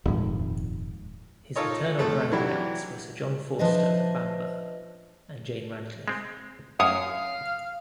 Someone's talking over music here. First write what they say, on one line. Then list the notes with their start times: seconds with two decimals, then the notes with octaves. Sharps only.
His maternal grandparents were Sir John Forster of Bamburgh and Jane Radcliffe.
0.06 D#1 F2 G#2
1.56 D#4 F4 A4 A#4 C#5 D#5
1.98 G#1 F2 A3 A4 A5
2.32 E3 F#3 D4 E4 G4
3.59 F3 D4 B4 C5 D#5 E5
6.08 G#3 C4
6.80 F#2 C#5 F5 D#6